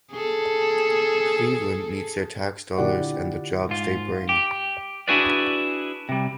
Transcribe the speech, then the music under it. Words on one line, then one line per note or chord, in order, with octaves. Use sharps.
Cleveland needs their tax dollars and the jobs they bring.
G#4 A4
A#2 D3 E4 G4 D5 F#5
G#2 F4
G4
D4 E4 F#4 G#4 B4 D5
C3 G3